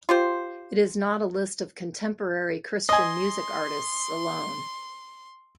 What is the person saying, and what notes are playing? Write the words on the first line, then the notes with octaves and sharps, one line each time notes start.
It is not a list of contemporary Christian music artists alone.
F4 G4 C5
D#5 G#5 C6